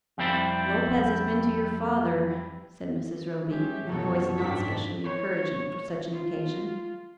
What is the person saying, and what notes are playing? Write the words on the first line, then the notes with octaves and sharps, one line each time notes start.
"Lopez has been to your father," said Mrs. Roby, in a voice not specially encouraging for such an occasion.
F2 G3 C4 E4
G#3 C#4 G4 E5
C2 F#2 B2 E3 A4 C#5
G#2 C4 D4 F4 G4 B6
C#5
F4